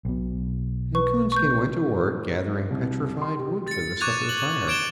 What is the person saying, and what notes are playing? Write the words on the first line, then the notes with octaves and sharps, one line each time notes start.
And Coonskin went to work gathering petrified wood for the supper fire.
B1 B2
B4 C#6
C#6 G6
C2
C6
G4
A6 C#7
C#6 D6 F#6 G#6 A6 F7
F#7
D6 G#6 D7 E7 G7